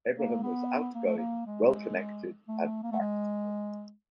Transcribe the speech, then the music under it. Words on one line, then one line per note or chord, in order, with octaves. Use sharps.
Abraham was outgoing, well-connected, and practical.
A#3
B3
A#3
A3
A#3
G#3
A3
A#3
A3
G#3